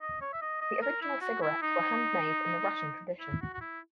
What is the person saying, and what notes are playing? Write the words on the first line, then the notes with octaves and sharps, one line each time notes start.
The original cigarettes were handmade in the Russian tradition.
D#5
C#5
E5
D#5
D#5
A#4
E4
F#4
E4
D#4
E4
F#4
F#4
E4